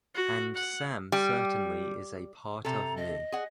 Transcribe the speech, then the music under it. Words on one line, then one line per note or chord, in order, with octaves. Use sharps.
And Sam certainly is a part of me.
F#4
F#5
G3
C3 A4 A#5
D#5
G#4 F#5